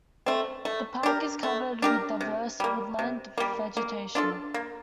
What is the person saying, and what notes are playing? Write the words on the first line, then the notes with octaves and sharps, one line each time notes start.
The park is covered with diverse woodland vegetation.
A3 C4
A3
D4 G4 A#4
A3
D4 G4 A#4
C3
G3 A#3
C3
G3 A#3
A#3
D4 F4 A4
A#3